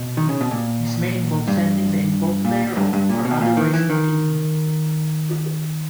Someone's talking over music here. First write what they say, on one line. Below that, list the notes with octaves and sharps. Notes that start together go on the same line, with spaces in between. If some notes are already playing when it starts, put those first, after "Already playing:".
This may involve sending the involved player off or otherwise booking him.
Already playing: B2
D#3
C#3
B2
A#2
G2
A#2
G2
G2
A#2
B2
A#2
D#3
E3
D#3